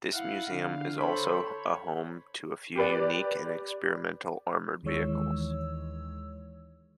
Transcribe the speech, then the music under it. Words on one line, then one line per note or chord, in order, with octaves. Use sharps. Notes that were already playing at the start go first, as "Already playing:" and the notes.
This museum is also a home to a few unique and experimental armoured vehicles.
E4 F5 F#5
D3 F5
A4 C5 C#5 B5
C#5
G4 B4 D5
D#2 D#3 E3 G#3 C#5 E6